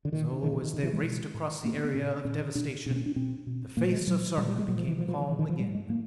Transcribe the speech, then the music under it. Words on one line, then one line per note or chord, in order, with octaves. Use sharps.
So, as they raced across the area of devastation, the face of Sarka became calm again.
D3
A#2 D#3
D3
A#2 D#3
D3
D#3
B2 D#3
E3
G#3
B2
A2
A2 A#3
B3
B3
A#2 C#4
A#2 C#4
B2 D4
B2 D4
C4
C#4
D4
B2 C4
B2
A#2 A#3
G#3
A#2 F#3
A#2 G3
G3
G#3
A#2 F#3
F3
E3
A#2 F3
F3
E3
A#2 D#3
D#3
F3
A2 G3
G#3
A2 A#3